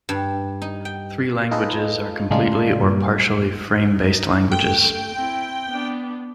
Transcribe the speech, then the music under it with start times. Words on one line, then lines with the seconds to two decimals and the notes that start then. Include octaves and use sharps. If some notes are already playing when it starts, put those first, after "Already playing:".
Three languages are completely or partially frame-based languages.
0.09 G2
0.62 D#4
0.85 G5
1.51 D#4 F4 G#4 A4 B4 D#5
2.30 A2 C#3 G#3 D4 D#4 F4
2.80 G2 A#2
3.93 D#4
4.52 A3 G5
5.15 C4 E4
5.68 B3 D4